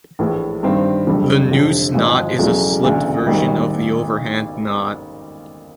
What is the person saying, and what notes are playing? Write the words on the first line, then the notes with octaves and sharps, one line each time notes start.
The noose knot is a slipped version of the overhand knot.
A#1 A2 E3
G2 D#3 G3 C4
F#1 F2 D3 G3
F1 F2 D3
G#1 G#2 F3 G#3
E1 E2 C#3 F#3 A3
E1 D2 C#3
G#1 G#2 D#3 G3 A#3